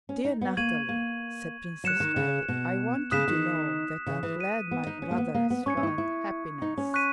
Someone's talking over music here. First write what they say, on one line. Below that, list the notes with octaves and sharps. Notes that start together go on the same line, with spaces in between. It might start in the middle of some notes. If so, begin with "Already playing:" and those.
"Dear Natalie," said Princess Mary, "I want you to know that I am glad my brother has found happiness...."
C#4
D#4
B3
A#3 C#6 G#6 D#7 F#7
A#3
F#3 F#6 C#7 E7
D#3
C#3
B2
C#3 D#6 F#6 B6 E7
D#3
C#3
E3
D#6 F#6 B6 D#7
B3
D#4
C#4
A#3
B3
A#3
B3
C#4 C#6 G#6 C#7
C#4
E4
D#4
E4
D#4
C#4
C#6 F#6 B6 D#7